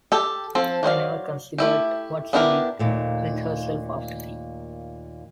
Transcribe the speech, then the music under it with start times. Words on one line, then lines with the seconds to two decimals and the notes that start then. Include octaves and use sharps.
I never considered what she did with herself after tea.
0.12 G4 A4
0.55 F3 C4 A4
0.83 F#3 C5 D5 F5
1.58 A3 E4 G4
2.33 B3 D4 E4 G4 A#4
2.79 D#2 A#2 A3